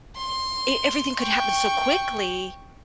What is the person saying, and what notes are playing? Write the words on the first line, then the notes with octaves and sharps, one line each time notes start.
E everything could happen so quickly
C6
G5 C#6